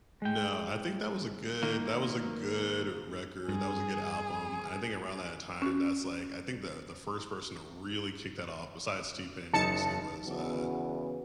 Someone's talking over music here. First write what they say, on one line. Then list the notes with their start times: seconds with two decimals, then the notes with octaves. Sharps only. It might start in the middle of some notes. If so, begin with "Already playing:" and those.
No, I think that was a good that was a good record that was a good album, and I think around that time, that's like I think the the first person to really kick that off, besides T-Pain obviously, was, uh,
0.22 G#3 G5
1.63 D#3 A#3
3.48 G2 G#4
5.62 C#4 F#4
9.54 F#1 D#4 A5 C#7
10.26 E2 C#3 B3 F#4